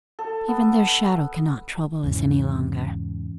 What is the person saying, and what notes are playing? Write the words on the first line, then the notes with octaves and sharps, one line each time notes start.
Even their shadow cannot trouble us any longer.
A4
B3
E2 G#2 C#3